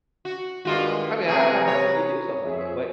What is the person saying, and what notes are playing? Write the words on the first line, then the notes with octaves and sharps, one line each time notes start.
I mean, how how how can you do something like that? But
F#4
G2 D#3 G#3 F4 F#4
C3 A3 G#4 B4 A#5
C#5
F2 G#4 E5